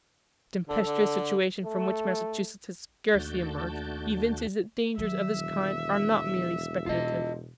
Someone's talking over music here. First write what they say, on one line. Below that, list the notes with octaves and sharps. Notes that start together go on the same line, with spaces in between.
The tempestuous situation from which Massachusetts has scarcely emerged, evinces that dangers of this kind are not merely speculative.
D3 A4
D3
A3
D#2 A3 D4 F#4 A5 G6
D#3 F#3 E5
E1
B2 B3 F4 D#5